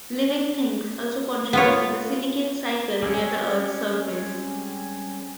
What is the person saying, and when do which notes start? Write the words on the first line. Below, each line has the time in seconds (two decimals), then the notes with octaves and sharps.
Living things also contribute to the silicate cycle near the Earth's surface.
1.53 B3 F4 C#5
3.03 G3 G#3 C4 C#4